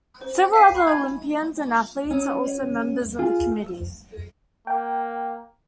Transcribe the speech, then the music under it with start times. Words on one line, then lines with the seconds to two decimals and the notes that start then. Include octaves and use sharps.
Several other Olympians and athletes are also members of the Committee.
0.21 C5
0.53 F5 G5 B6 C7 D#7
0.75 B5 C#6 F#6 C7
0.87 G#5 B5 G#6
2.11 C#4
3.19 F4 G#4
4.67 A#3 G5